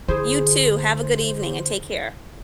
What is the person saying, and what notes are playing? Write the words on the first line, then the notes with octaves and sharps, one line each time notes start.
You too. Have a good evening and take care.
D3 E4 G#4 C5